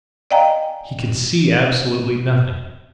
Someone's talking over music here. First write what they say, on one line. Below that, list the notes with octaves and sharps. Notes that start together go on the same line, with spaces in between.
He could see absolutely nothing.
D5 D#5 F5 G5 G#5 A#5